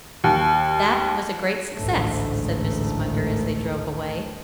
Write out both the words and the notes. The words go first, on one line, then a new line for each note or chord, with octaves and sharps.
"That was a great success," said Mrs. Munger, as they drove away.
D#2
A1 D2 G#2 A3